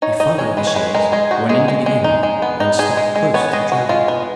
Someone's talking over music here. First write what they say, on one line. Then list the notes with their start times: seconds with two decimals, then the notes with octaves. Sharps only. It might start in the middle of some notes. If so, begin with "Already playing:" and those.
He followed the chaise, went into the inn, and stuck close to the traveller.
0.02 D#4 C#5
0.20 D#4 D#5
0.38 G#3 C#5
0.57 G#3 B4
0.67 C#5
0.75 G#3 B4
0.94 G#3 A#4
1.12 G#3 G#4
1.31 D#4 F#4
1.49 G#3 G#4
1.68 G#3
1.86 G#3
2.04 D#4
2.23 G#3
2.42 B3
2.60 D#4
2.79 G#3 G#4
2.97 G#3
3.16 G#3
3.34 B3 C#5
3.53 G#3 D#5
3.72 G#3 F#4
3.89 G#3 F4
4.08 B3